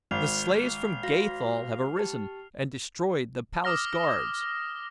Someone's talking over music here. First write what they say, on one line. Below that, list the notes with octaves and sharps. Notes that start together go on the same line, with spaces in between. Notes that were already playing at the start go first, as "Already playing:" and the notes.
The slaves from Gathol have arisen and destroyed the palace guards.
G#1 F6 C7 F7
F#4 F5 A#6
G4 A5
D6 D#6 F6 A#6 G7